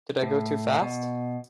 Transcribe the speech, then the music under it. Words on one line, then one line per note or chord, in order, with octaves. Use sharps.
Did I go too fast?
A2
B2